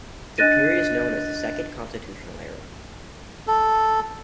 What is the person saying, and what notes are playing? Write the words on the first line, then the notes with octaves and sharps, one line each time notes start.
This period is known as the Second Constitutional Era.
D4 D#5 F#6 A6 A#6 D#7
A4